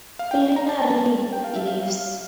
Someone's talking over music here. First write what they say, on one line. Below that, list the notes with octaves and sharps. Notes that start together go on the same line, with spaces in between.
Culinary leaves.
F5
G5
A#5
A5
A5
G5
F5
E5
F5
F5